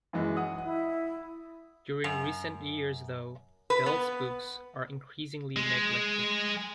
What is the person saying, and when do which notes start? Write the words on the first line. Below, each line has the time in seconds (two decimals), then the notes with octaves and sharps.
During recent years though, Bell's books are increasingly neglected.
0.13 F#2 E3 G#3
0.37 F#5 D#6
0.64 E4
2.04 F#2
3.70 B4
3.86 B3
5.56 G#3